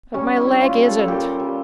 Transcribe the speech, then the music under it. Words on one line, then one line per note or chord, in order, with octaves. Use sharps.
But my leg isn't.
G3 C#4
E4
G3
F4
G3
A4
A4
A#2 G4
G3